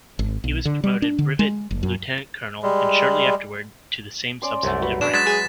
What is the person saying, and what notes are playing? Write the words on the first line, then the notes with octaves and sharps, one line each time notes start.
He was promoted brevet lieutenant-colonel and shortly afterwards to the same substantive rank.
G#1
B1
D3
G3
D4
D3
G#3
F#1
F#2
G3 G#3
C#4 D5 C6
C2 F#2 A3
F#4 B4
B2 F#3 D4 E7
F#3 G#3 A6 B6 E7
G#4